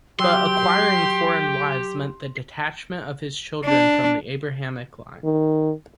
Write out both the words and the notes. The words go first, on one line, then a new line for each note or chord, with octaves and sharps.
But acquiring foreign wives meant the detachment of his children from the Abrahamic line.
F#3 G4 G5 C6
D4
D#3